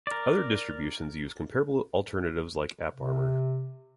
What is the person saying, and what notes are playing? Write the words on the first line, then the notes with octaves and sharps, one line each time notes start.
Other distributions use comparable alternatives like AppArmor.
A#4 D5
C3